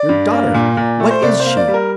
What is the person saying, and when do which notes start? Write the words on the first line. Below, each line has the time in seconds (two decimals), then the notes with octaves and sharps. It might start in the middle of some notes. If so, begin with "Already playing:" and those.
Your daughter--what is she?
Already playing: D5
0.09 G2
0.31 A#3
0.54 A#2
0.77 A#2
1.00 A3
1.11 C5
1.22 C2 D5
1.40 C5
1.45 A#3
1.57 D5
1.68 G3
1.74 A#4